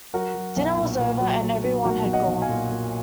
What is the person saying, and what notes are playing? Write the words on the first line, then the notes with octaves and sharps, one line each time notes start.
Dinner was over, and every one had gone.
F#3 F#4 A#4
F#3
B1
A#2
A#2
F#3
F#3
F#3
B1 F#4 A#4
B1
D#5 F#5
B1
F5 G#5
A#2
A#2